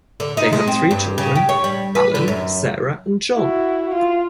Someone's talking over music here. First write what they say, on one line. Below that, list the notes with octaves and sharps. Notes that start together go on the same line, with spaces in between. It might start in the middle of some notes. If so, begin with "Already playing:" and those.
They had three children: Alan, Sarah, and John.
D3
D#4
G#3
C4
G2
C#3
G4
C#5
G3
B4
D3
F#2
E4 F#4
F4